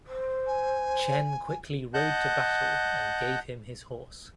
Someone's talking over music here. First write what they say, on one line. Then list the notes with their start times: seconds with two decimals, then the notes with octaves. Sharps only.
Chen quickly rode to battle and gave him his horse.
0.06 C5
0.47 G#5
1.94 D#5 F#5 A5 F#6 G6